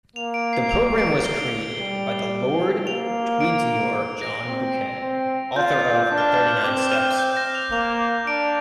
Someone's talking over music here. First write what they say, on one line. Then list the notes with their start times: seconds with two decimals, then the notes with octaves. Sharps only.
The program was created by the Lord Tweedsmuir-John Buchan, author of "The Thirty-Nine Steps".
0.16 A#3 F7
0.34 D7
0.53 C7
0.71 F7
0.98 D7
1.24 G7
1.79 G3
2.86 A#3 F7
3.40 D7
4.22 A#6
4.48 C4
5.02 C4
5.56 F4 G6
6.11 D4 D6
6.18 F6
6.25 D6
6.64 C4 D6
6.91 F6
7.14 F6
7.18 G6
7.37 A#6
7.55 F7
7.72 A#3 F7
8.27 D4 D7